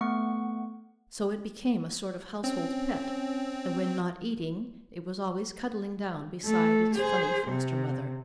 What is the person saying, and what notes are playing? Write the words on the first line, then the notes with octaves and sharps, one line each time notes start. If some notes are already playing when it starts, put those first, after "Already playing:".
So it became a sort of household pet, and when not eating, it was always cuddling down beside its funny foster-mother.
A3 B3 F#5 C#6
C4 C#4
A3 A4
G#4 C5
C3